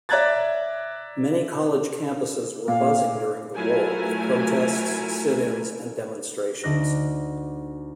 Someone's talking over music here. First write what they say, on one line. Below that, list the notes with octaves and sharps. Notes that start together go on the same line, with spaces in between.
Many college campuses were buzzing during the war with protests, sit-ins, and demonstrations.
D5 E5 A#5 F#6 G#6 A6
A#2 F5
F#3 A3 E4 F4 A#4 G#5
D2 D#4 D5 F#6 A#6